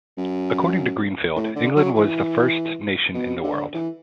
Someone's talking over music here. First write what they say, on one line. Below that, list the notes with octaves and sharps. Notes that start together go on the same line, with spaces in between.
According to Greenfeld, England was "the first nation in the world".
F#2
A2
D3
F#3
E3
B2
D3
E3